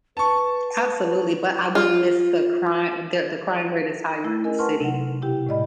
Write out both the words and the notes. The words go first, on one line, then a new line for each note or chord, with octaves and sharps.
Absolutely, but I wouldn't miss the crime the the crime rate is higher in the city,
B4 A5 C#6
F4
A3 E4 E6
C#4 A#4 D#5 G#5
B4 F#5 A5 C6 C#6 F6
C3 F#3 F#5
B2 E4 G4 G5
A2 G#3 D5 D#5 B5